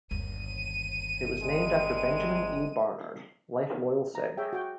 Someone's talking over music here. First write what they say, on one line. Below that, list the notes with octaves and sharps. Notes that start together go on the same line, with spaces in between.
It was named after Benjamin E. Barnard, life loyal Sig.
G1 D#2 D#7
C3 G3 G#3
A#5
G#4 C#5 E5 G5
F#4 G5